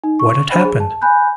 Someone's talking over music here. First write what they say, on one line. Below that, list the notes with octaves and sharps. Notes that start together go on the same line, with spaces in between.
What had happened?
D#4
C#6
D4 C5 B5
G#4
A5
G#5 B5 F#6 G6